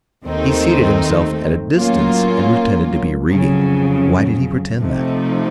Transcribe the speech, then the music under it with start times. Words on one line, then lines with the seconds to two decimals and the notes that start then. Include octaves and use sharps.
He seated himself at a distance and pretended to be reading; why did he pretend that?
0.23 D#2 D#3 A3 C4 D#4
1.75 A2 F#3 A#3 C#4 F4
3.28 F2 C#3 F#3
4.80 C3 F3 A3 D#4